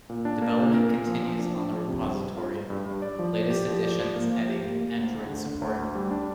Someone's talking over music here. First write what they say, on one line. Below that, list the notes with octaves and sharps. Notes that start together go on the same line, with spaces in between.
Development continues on the repository, latest additions adding Android support.
A#2
D4
A#3
A#2
A#4
A#2
F3
F3
D4
D4
F3
C3
G3
G2
F4
G2
G2
G2
D5
F3
D5
G4
F3
D5
F3
A#3
F3
G4
A#3
A#3
D2
D2
D3
D3
D2
D2
G3
D4